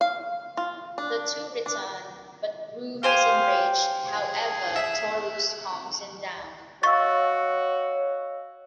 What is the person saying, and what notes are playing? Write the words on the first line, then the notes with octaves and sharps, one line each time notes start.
The two return but Groove is enraged however Taurus calms him down.
F5
F4
D4
D4
G4 C5 F5 G#5
G#4
E5
F#4 C#5 D#5 F5 C#6 E6 A6